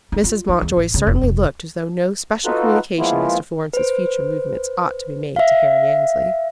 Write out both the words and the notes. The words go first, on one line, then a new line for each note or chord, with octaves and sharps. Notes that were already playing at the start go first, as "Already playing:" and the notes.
Mrs. Mountjoy certainly looked as though no special communication as to Florence's future movements ought to be made to Harry Annesley.
D#4
F4
D#4
E2
A1
C#3
F1
F1
D#4 F4 F#4 A4 B4
F3 G#3 A#3 B3 E4 F4
B4 C5
E5 F5